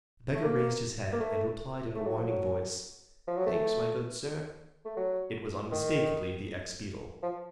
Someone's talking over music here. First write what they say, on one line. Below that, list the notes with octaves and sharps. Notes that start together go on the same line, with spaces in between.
The beggar raised his head, and replied in a whining voice, "Thanks, my good sir." It was unmistakably the ex-beadle.
A3
A#3
A#3
A3
A3
F#3
F3
F#3
F3
F#3
A3
A3
F#3
D#3
F3